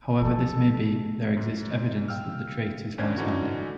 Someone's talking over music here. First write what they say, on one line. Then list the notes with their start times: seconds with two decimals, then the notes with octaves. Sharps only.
However this may be, there exists evidence that the trait is longstanding.
0.22 F3 F#3 A4
1.37 F#2
2.08 F5 G5 E6 F6
2.98 A#1 D#2 C#4 D4 C5 G#6
3.18 D3 E3 C#4 D#4 F#4